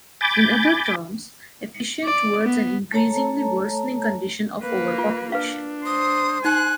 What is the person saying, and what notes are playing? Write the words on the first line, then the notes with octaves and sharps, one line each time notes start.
In other terms, efficient towards an increasingly worsening condition of overpopulation.
G#5 B5 D6 G6 A6
D5
B3
A3 A4 C#5 A5 A#5
A#3 B4
F4
D4 B4 F5
C5 D#6
D#4 G#5 F#6